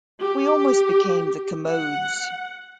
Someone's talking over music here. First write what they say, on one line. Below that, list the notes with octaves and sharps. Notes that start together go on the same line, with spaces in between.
We almost became 'The Commodes!
G4
F#5